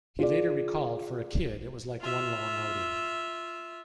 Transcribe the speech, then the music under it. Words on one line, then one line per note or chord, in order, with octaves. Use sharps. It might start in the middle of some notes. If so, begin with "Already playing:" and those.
He later recalled, For a kid, it was like one long outing.
F4 G#4 D5
F4 E5